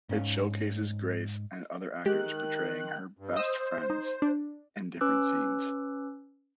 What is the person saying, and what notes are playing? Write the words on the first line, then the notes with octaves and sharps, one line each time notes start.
It showcases Grace and other actors portraying her "best friends" in different scenes.
G#2 C#4 F5
D#3 G#3 G4 F#6
G2
C5 D#5 D#6 E6
D#4
D4
C#4 B4 D6 E6 F#6